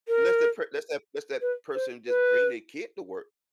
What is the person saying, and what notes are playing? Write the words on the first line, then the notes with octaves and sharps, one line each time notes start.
Unless that per less that less that person just bring their kid to work,
A#4
B4
C5
B4